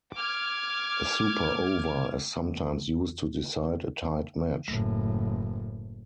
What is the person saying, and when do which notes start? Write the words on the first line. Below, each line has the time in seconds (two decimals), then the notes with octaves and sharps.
A Super Over is sometimes used to decide a tied match.
0.14 D6 F6 G#6
4.68 F#1 A2